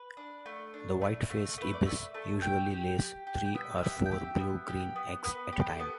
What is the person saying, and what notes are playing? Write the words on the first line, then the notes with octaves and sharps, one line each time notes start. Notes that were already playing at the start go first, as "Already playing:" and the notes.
The white-faced ibis usually lays three or four blue-green eggs at a time.
Already playing: B4
D4
A3
D4
A3
A3
A3 B4
D5
A3 E5
A3 A5
G4 G5
G4
G4
G4
G5
B3 E5
G4 E5
G5
G4 E5
B3
G4
B3
B3 B4
G4
A4
B3